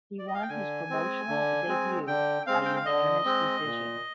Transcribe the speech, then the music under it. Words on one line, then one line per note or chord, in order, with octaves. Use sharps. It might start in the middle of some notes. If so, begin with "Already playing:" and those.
He won his promotional debut by unanimous decision.
D5
D#5
F5
G5
D3 G#5
G#3 C4
D3
G#3 C4
D3 G5
G#3 C4 F5
G5
F5
D3 D#5
G#3 C4
A#2